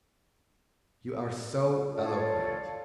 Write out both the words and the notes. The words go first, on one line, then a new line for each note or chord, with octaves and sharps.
You are so eloquent.
F4 A4 C#5 D5